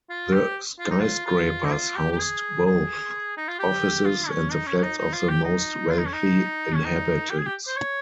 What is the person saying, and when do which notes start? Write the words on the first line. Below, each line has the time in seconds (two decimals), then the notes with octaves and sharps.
The skyscrapers housed both offices and the flats of the most wealthy inhabitants.
0.10 F4
0.33 G4
0.80 F4
0.90 D#4
1.00 F4
1.26 F4
1.65 D#4
1.72 F4
1.96 G4
2.12 G4
2.19 G#4
2.66 G#4
3.37 D#4
3.48 F4
3.59 G4
4.06 F4
4.29 C#4
4.52 D#4
4.67 C#4
4.78 C#4
4.83 D#4
4.98 D#4
5.13 F4
5.29 G4
5.44 D#4
5.91 F4
5.98 D#4
6.05 C#4
6.13 D#4
6.75 C#4
6.85 D#4
7.30 G4
7.38 G#4
7.46 G4
7.68 C5
7.77 C#5